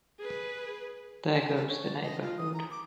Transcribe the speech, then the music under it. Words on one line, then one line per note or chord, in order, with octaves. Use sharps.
There goes the neighborhood.
G#4 B4
G#5
A4
C#5
D5
D#5
F4
D#6
A#5
D6